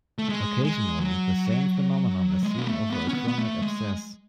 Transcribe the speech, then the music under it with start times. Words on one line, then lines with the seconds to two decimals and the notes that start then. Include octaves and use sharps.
Occasionally, the same phenomenon is seen over a chronic abscess.
0.19 A3
0.29 G#3
0.64 G#3
1.00 F#3
2.43 G#3
2.58 B3
2.67 A3
2.90 B3
3.08 C#4
3.14 B3
3.27 B3
3.38 A3
3.62 G#3